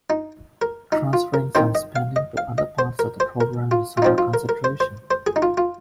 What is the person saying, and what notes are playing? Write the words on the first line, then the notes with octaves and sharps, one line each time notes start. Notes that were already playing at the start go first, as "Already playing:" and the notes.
Transferring some spending to other parts of the program is under consideration.
D#4
A#4
D#4
F4
A#4
D#3 C4 D#4 C5
D#5
F5
D#5
F5
D#5
C5
A#4
C5
A#4
F4
F4
F3 C4 D#4
F4
A#4
A#4
C5
C5
C5
G#4
D#4
F4
F4